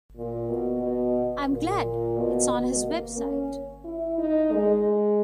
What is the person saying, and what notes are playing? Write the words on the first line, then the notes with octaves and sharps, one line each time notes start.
I'm glad it's on his website.
A#2
B2
B2
A#2
B2
B2
A#3
C#4
E4
D#4
G#3